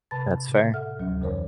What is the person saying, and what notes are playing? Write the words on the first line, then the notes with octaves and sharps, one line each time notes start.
That's fair.
C3 B4 A5 B5 A6
A2 C#3
A4 E5 F#5 F6
D2 F#3 C#4 E5
F2 C#3 E3 A#4 C5 C#5